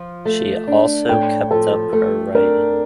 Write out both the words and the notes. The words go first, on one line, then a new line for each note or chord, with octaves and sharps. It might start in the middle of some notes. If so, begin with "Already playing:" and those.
She also kept up her writing.
Already playing: F3
A3
D4
A2 G5
F3 A4
A3 A4
D4 A#4